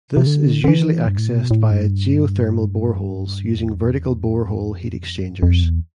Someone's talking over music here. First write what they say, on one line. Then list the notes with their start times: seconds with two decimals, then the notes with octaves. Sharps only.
This is usually accessed via geothermal boreholes using vertical borehole heat exchangers.
0.17 C3
0.27 D3
0.64 D3
0.68 E3
1.07 G2
1.18 A2
1.30 B2
1.51 A2
1.71 G2
3.57 E2
3.78 F2
3.98 E2
4.19 F2
5.22 G2
5.43 F2
5.64 E2